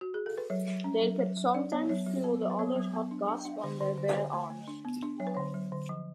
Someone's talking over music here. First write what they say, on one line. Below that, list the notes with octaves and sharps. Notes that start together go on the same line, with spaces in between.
They could sometimes feel the other's hot gasps on their bare arms.
F#4
G#4
A4
B4
F#3 C#5
F#3
C#4
F#3
F#3
F#3
D4 D5
B3 C#5
F#3 C#5
F#3
B3
F#3
B4
B3 C#5
F#3
B3
D4
D4
D4
D3
D3
D3
D3 C#5
A3
A3
D4
B3
D4
F#3 C#5
B4
D3 C#5
F#3
D3
F3